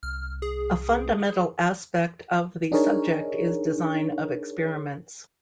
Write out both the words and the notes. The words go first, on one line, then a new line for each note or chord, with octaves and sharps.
A fundamental aspect of the subject is design of experiments.
C2 F6
G#4
D4 D#4 G#4 A#4 C#5